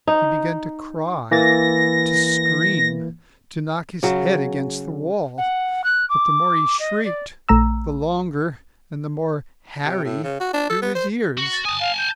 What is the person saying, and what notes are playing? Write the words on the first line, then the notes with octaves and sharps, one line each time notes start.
He began to cry, to scream, to knock his head against the wall, but the more he shrieked, the longer and the more hairy grew his ears.
D#4
E3 A#3 A6 A#6
C#3 F#3
F#5
F#6
D6
D#5
D5
A#1 A3 A#5 E6
C3
A2
C#3
F#4
D4
A4
B3
C5
F#4
A6
G#5 A5 D#6
F5
G6